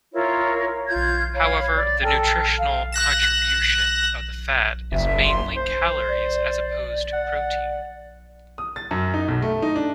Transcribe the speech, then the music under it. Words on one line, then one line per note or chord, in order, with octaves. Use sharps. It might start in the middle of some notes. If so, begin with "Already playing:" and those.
However, the nutritional contribution of the fat is mainly calories as opposed to protein.
E4 F4 A#4 C#5
F4 G6 G#6
C#5 F5 B5
D5
A4 A#4 G5
F5
F#6 A#6 E7
F#1 E5
C6
C5
D5
F#5
D#6
A6
F#2
D#4
B1
A3
D#4
D4